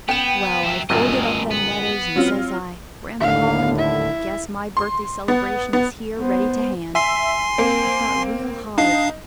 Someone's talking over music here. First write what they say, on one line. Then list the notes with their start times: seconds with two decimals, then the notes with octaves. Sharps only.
Well, I folded up them letters and, says I, "Grandpa Holland, I guess my birthday celebration is here ready to hand." I thought real hard.
0.09 B3 G5 E7
0.64 F#3 E5
0.90 G1 F#2 A#2 A3 D#5
1.51 B3
2.16 F#3 C4 F4
3.21 D#2 A2 D3 F5
3.78 E4 E5
4.77 C6
5.28 B3
5.73 B3
6.18 B3 C5
6.95 E5 G#5 C6 C7
7.58 A#3 C4
8.78 D4 D#4 F5 C7